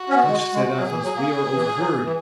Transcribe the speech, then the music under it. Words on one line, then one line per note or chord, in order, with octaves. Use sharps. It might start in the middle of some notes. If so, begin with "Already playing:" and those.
"Hush!" said Athos, "we are overheard."
Already playing: F#4
C#4
B3
G#3
G#3
F#3 G#4
E3
F#3
A#3
E3
F#3
E3